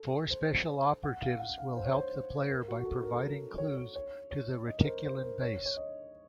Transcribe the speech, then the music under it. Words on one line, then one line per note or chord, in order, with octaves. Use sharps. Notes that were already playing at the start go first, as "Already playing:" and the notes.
Four special operatives will help the player by providing clues to the Reticulan base.
Already playing: A4
C5
F#5
F5
F#5
F5
C5
C#5
C5
A#4
F#4
F#4
A4
A#4
A4
A#4
C#5
C#5
C#5
C#5
D#5
A#4
C5
C5
A#4
C#5
C#5
D#5